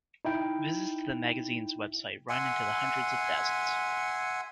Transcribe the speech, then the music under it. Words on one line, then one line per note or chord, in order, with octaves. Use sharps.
Visits to the magazine's website run into the hundreds of thousands.
D#4 E4 G5
E5 F#5 G#5 C6